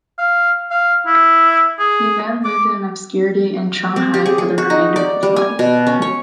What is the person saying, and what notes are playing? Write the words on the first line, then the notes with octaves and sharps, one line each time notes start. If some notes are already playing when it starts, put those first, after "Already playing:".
He then lived in obscurity in Shanghai for the remainder of his life.
F5
F5
E4
G#4
D6
C4
G4
G#4
G#4
F#4
D#4
D5
G3
G#5
B2
C#4
C#5